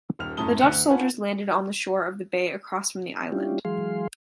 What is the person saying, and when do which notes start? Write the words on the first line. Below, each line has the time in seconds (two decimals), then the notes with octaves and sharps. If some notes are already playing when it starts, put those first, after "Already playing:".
The Dutch soldiers landed on the shore of the bay across from the island.
0.19 D#1 D#2 F6 F7
0.37 F#2 A2 A3 A5 D#6 G7
0.60 D2 F#6 C#7
0.90 C#4 F4 B4 F#5 G#5 A5
3.32 G3 C#4 D4 E4 F4 G4
3.65 E3 F#3 G#3 G#4 F5 C6